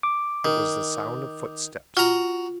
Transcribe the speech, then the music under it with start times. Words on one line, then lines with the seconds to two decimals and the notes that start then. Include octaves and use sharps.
It was the sound of footsteps!
0.03 D6
0.45 D#3
1.97 F4 F#4 A#5